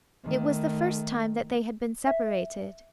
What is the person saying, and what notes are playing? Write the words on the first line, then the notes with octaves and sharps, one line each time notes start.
It was the first time that they had been separated.
D#3 A3
E5